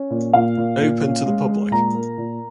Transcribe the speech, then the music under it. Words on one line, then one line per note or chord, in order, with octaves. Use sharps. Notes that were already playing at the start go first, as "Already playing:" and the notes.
Open to the public.
Already playing: C#4
A#2
A#2 F5
A#2
A#2
C#4
G#3
G#3
A#2 A#5
A#3
A#2